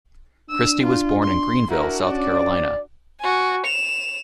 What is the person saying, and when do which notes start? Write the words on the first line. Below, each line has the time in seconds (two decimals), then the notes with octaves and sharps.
Christie was born in Greenville, South Carolina.
0.50 D4 E6
0.83 F4
1.23 C6
1.70 D4 E4 F#4 A#4
2.06 C#4 D5
3.21 F#4 G#5
3.66 E7 F7